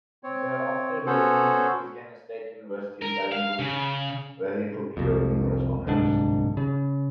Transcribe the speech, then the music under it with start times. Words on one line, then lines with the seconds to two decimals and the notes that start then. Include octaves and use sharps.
Thereafter, he attended Louisiana State University in Baton Rouge, where he procured numerous honors.
0.23 C4 C#5
1.06 B3 C#4 F#4 A4 C5 C#5
3.02 A#4
3.32 F5
3.59 C#3
4.97 C2 F2
5.87 D1 C2 G#2 D4
6.57 C#3